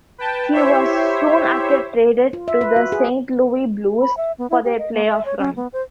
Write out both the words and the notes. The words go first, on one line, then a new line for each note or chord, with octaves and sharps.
He was soon after traded to the Saint Louis Blues for their playoff run.
B4 G5 A5
E4 G4 C5 C#5 E5
F4
E5
B4
F#4
G#4
B5
E5
B3
E4
G4
D#5
A#3
E5
C#5
C#4
B3
C5